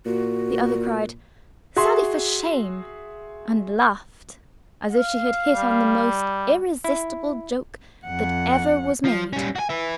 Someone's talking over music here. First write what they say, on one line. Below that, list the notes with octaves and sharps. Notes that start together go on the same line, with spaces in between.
The other cried, "Sally, for shame!" and laughed, as if she had hit on the most irresistible joke that ever was made.
A#2 F#4
F#4 G#4 E5 C6
F5
G3
E4
F2 F#5
F3
G3 C#4
F#4 G#5
B4 E5